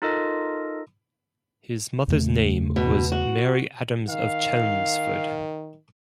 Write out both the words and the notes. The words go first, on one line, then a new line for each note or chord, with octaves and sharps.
His mother's name was Mary Adams of Chelmsford.
D#4 F4 A4 A#4 D#5
E2 C#3 A3
B2
F#4
D#3 F5